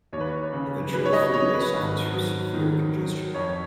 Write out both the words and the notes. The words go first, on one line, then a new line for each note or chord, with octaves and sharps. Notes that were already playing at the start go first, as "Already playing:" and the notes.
The Ventura Freeway suffers from severe congestion.
D#2 C#5
B4
C#5
C#3
F#3 B4
C#5
D#5
F#3 C#5
B4
G#1
F#3
D#3
F#3
F2 C#5